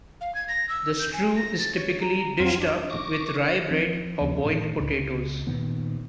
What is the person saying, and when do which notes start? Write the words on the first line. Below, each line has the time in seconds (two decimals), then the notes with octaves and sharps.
The stew is typically dished up with rye bread or boiled potatoes.
0.21 F5
0.35 G#6
0.48 A#6
0.69 E6
0.99 G6
1.13 G#5
1.36 A#6
1.59 A6
1.75 C#5
2.01 A#5
2.40 F2 F#3 C4 F4 G#6
2.60 D4
2.90 C#6 D6 A#6
3.71 F3 C4
4.21 D#2 F3 B3
4.44 A2 D#3
4.80 C#2
5.47 A#2 D#3 B3